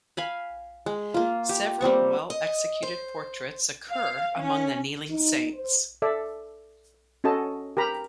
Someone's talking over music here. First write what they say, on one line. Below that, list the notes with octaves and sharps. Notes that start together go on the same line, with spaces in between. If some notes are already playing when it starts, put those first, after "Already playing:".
Several well-executed portraits occur among the kneeling saints.
F5 G#5 B5
G#3
A#3 F4
G4
G3 A#3 C4 C#6
D#5
C5
F5
C#4
D#4
C5
A4 D5 E5
C#4 F#4 A4 D#5 A5
G4 A#4 A#5 B5